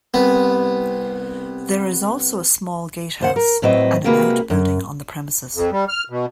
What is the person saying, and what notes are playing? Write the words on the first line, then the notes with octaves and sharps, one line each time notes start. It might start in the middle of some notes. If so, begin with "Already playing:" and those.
There is also a small gatehouse and an outbuilding on the premises.
C2 B3
D#2 C5 F#5
A#4
A2 F#3 C4 B4 D#5
C3 G#3 A#3 F#4 B4
F#2
F2
G3
F6
B2